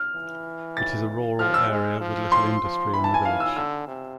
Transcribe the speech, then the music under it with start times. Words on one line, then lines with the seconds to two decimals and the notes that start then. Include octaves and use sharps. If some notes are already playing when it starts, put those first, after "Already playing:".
It is a rural area with little industry in the village.
Already playing: F6
0.15 E3
0.77 A6
1.39 F3 F6
1.54 E6
1.69 G#3
2.01 F3
2.32 C6
2.63 F3
2.93 E3 B5
3.04 A5
3.14 G#5
3.25 F5
3.40 E6
3.56 D3 E6
3.87 C3